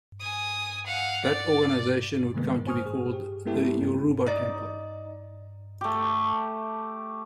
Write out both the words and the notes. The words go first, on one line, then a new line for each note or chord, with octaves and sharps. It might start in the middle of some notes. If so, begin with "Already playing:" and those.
That organization would come to be called the "Yoruba Temple".
G#5 D#6
F5 F#5
D5
C3 D#3 G#3 A#3 B3
A2 C5 G#5 C#6 D#6 F6
G#4
G4
G#3 A#3 B3 E4 G4 A4
G2 C#4
D#4 D5
A3 G4